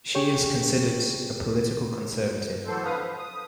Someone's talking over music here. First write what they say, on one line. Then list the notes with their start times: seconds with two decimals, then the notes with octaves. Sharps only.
She is considered a political conservative.
0.15 G4 G#4 C#5 G5 C#6
2.66 E3 F#3 A4 C5
2.85 D3 B4 F5 D#6
2.97 F3
3.19 D#6